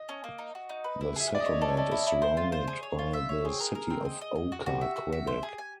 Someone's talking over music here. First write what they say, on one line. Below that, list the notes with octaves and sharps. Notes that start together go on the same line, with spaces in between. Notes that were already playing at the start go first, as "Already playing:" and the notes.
The settlement is surrounded by the city of Oka, Quebec.
Already playing: D#5
C#4
A#3
D#4
F#4
D#4
B4
E4
G#4 E5
G#4 D5
D#5
C#5
A4 D5
C#5
A4 D5
E4
E4
C5
F4
C5
G#4
C#5
F4
E5
C#5
C4 G#4
A#4
A#4
C4
D#5
D#5
D#5
F#4
F#4 G4
E5
F#4
E5
C5
G#4
G#5